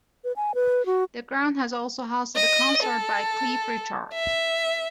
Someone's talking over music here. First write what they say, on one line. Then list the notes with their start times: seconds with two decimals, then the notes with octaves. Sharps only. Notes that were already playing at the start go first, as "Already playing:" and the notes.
The ground has also hosted a concert by Cliff Richard.
0.24 B4
0.36 G#5
0.55 B4
0.86 F#4
2.36 D#5
2.83 A4
4.14 E5